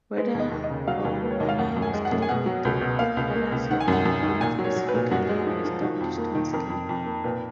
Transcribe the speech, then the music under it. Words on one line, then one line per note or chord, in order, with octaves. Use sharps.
Whether Romana was killed with the others had not been specifically established on screen.
G#3 B4
D#2
D#5
D#2
D#5
C#3
F#3 F5
D#2
A#3 B4
C#5
D#2 D#5
F5
F#2 F#5
F#2
G#5
G#3
F#5
F#2
G#5
B2 F#5
F#3
C#2
B2
A#3 F5
C#2
A#3
C#2
D#3 F#5
G#5
F#2 F#5
F#2
D#3
A#2 G#5
F#3
C#5
F#3
B4
A#2
F#2 F#4
G#3
F3
F3
D#3 F#4
F2
A#3
D#3
F2 A#4
F2
F2
A#3
A#2 B4